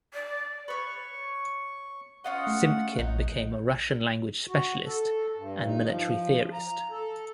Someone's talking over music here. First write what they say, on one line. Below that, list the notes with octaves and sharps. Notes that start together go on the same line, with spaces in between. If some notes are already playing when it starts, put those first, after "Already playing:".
Simpkin became a Russian language specialist and military theorist.
D5
B4 C#5 C#6
C#4 F4 D#5 F#5
A3
A#1 D#4
F#4
A4
G2
D#4
F3
A#5
A4